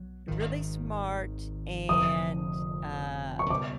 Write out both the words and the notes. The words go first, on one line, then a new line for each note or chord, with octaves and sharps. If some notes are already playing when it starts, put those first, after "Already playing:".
Really smart and, um,
Already playing: B1 F#3
G#1 G#2 D#3
F1 F2 D3 F3 D#6
C#6
C#2 B2 G3 D6